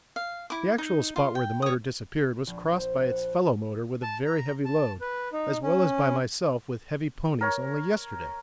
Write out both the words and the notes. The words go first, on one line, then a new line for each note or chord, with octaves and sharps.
The actual spot where the motor disappeared was crossed by its fellow motor with a very heavy load as well as by myself with heavy ponies only yesterday.
F5
E4 D6
D#4
F4
G5
C#5 D#6
A#1
C5
F#5
A5
A#5
A5
B4
D#4
C#4
A#4 C#5 C#6